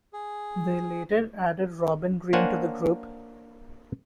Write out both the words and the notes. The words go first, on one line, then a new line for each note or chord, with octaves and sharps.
They later added Robin Green to the group.
G#4
A#3 D4 C5 C#5 F#5 G#5